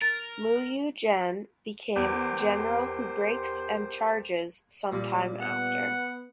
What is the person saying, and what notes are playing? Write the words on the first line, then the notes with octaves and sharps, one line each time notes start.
Muyu Gen became General Who Breaks And Charges some time after.
A#4 A6
E2 G4 A#4 C5
A#2 G3
B3 F#5